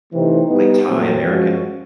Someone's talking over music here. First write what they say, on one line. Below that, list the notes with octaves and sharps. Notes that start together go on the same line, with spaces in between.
like, Thai-American
C3 E3 A3 C4 D#4
G3 B3 D#4
A#2 F#3 A3 C4
F3 G#3 C#4 F#4